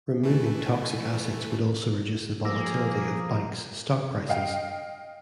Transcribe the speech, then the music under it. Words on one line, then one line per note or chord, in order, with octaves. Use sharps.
Removing toxic assets would also reduce the volatility of banks' stock prices.
E3 A3
F3 A#3 G#4 D6 E6 A#6
D#5 F5 G5